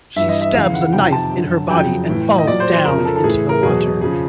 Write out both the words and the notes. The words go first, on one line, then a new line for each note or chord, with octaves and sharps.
She stabs a knife in her body and falls down into the water.
G2 E3 E5
D#5
E5
E2 C#3 E3 F5
F#5
F2 C3 D#3 G5
A5
F#2 D3 F#3
F2 C#3 F#3 G5
A2 E3
D#5
A#2 F#3 D5
C5
C5
F2 C#3 F3 A#4
A4
A4
A2 E3 G#4
A#4
E2 B2 F#3 G#4
G#4
F2 C#3 F3 G#4